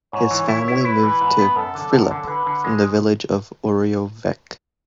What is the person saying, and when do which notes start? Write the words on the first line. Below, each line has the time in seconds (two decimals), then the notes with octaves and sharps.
His family moved to Prilep from village of Oreovec.
0.13 G#2 C#5
0.31 E3
0.49 E4 C#5
0.68 E4
0.84 E4 B4
1.03 E3
1.21 G#2
1.39 B3
1.56 F#2 A4
1.75 D3
1.92 F#2 A4
2.11 D3
2.28 D3 B4
2.46 D3
2.64 G#3